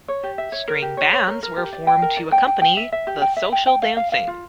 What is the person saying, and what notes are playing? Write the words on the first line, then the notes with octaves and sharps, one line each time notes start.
String bands were formed to accompany the social dancing.
C#5
G4
E5
C#5
A#4
G4
C#5
C#5
A#4
A#4
G4
D5
G5
A#4
D5
G5
G5
G5
E5
E5
G4
G5
E5
G5
G5
F5
F5
F5
F4